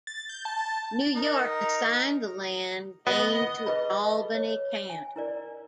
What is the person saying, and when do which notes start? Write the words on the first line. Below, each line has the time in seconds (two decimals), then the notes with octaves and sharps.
New York assigned the land gained to Albany County.
0.07 A6
0.29 G6
0.45 A5
1.15 D#4 A#4
3.07 B3 D#5
3.66 G#4 B4 D#5 B5
4.35 C#5
4.90 G#5
5.16 E4 A#4 D5